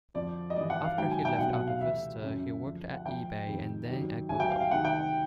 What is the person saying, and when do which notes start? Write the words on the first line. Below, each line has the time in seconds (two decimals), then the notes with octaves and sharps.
After he left AltaVista, he worked at eBay and then at Google.
0.14 F2 D3 F3 D5
0.50 D#5
0.56 G2 E3 D5
0.70 F#5
0.84 F5
0.97 G#2 D#3 F#3 G5
1.11 G#5
1.25 G5
1.38 C2 B2 F#3 F#5
1.53 F#5
1.67 F5
1.81 D2 C3 E3 E5
2.22 F#2 C#3 F#3
2.63 D2 D3 F3
2.94 F#5
3.06 D2 D3 F3 G5
3.46 F2 C3 D#3
3.87 G2 D#3 F#3
4.29 D2 D3 F#3 G#5
4.40 G5
4.50 F5
4.60 F5
4.71 D2 C3 D#3 F#5
4.85 G5